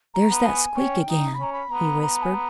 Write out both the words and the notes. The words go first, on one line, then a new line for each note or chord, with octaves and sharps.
"There's that squeak again!" he whispered.
A#5
B3
G#5
C#4 G5
D#4
B5
C#4 A#5
B5
B3 A#5
A#5
G#5
A#5